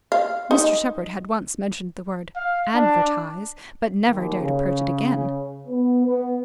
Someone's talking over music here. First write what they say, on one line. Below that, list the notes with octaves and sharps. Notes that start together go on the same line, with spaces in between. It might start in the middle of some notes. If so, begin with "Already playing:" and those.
Mr Shepherd had once mentioned the word "advertise," but never dared approach it again.
F5
D#4
F5
D4
D#2
C#3
B3
B3